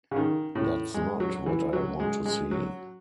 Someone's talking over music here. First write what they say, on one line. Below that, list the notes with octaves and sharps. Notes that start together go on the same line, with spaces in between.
That’s not what I want to see.
C#3
D#3
A2
G#3
F#3
E3
F#3
G#3
G#3
F#3